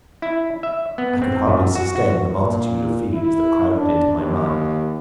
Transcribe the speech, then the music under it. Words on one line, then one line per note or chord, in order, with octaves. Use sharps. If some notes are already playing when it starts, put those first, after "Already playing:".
I could hardly sustain the multitude of feelings that crowded into my mind.
E4
E5
B3
C4
F#2
F#4
F#4
A#2
E4
D4
D#2